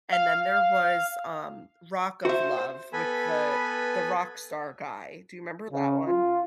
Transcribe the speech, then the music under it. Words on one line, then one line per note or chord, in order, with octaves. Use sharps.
and then there was, um, Rock of Love with the the rockstar guy. Do you remember that one?
F5
F#4 C5 E5
B3 A4 B4 G#5 B5
C#3
F4